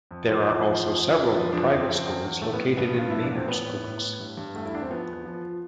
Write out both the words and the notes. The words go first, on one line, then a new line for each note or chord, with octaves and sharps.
There are also several private schools located in Meiners Oaks.
F2
F3 C5
E2
F3
F2
F3
E2
F3 B4
F2 D4
F2 C4
F2
E2
E2
A2 A3
B3
A2
G2 B3
G2 F4
F3 E4
D4
E2
C4
A2 B3
A2
A2
A2
G2
G2
E2 A3
E4
E2 D4
C4
F3 B3
E2
F3